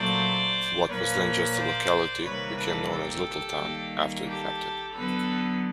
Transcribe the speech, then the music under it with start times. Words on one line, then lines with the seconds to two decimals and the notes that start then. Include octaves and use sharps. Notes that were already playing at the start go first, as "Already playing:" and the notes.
What was then just a locality became known as Lyttleton after the Captain.
Already playing: A#2 F#3 A3 C5 D5
0.88 A#2 F3 A#3 B4 C#5
1.56 C5 D5
2.23 C3 D#3 G3 A#3 B4 C#5
2.58 A4 B4
2.91 G4 A4
3.59 D#3 G3 A#3
4.26 G4 A4
4.94 D3 F#3 B3 A4 B4